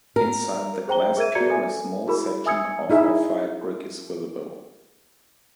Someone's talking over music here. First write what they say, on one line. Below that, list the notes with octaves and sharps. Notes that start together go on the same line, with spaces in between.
Inside the glass pier a small section of off white brick is visible.
A#4
G#4 C5 G5 A#5 G7
G#4 A#4 E5 G#6 D#7
F#4 G#4 D5 A#5 G#6 C#7
A4 E5 G#5
E4 F#4 G#4 A#4 B5
E5 G#5 D#6 E6 G#6 C#7
D#4 E4 G#4 E5